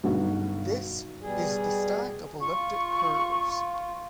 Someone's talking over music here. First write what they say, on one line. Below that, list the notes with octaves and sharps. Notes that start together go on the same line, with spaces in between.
This is the stack of elliptic curves.
G2 B2 D3 F#3 D#4 F#4
B2 G3 G#4
F4 C#6